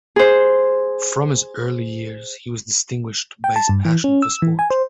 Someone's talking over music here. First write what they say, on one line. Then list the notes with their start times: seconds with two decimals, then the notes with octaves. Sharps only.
From his early years he was distinguished by his passion for sport.
0.16 G#4 C5
3.44 G5
3.56 A5
3.69 G2
3.85 E3
4.04 C#4
4.22 E6
4.42 E3
4.59 G#5
4.70 C5